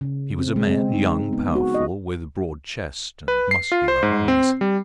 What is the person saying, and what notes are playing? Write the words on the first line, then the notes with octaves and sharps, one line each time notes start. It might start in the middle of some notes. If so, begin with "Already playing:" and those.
He was a man young, powerful, with broad chest and muscular arms.
C#3
C4
G#3
C4
D#4
B3
F#4
D#5
B4
C7
F4
C5
G#2
C4
G3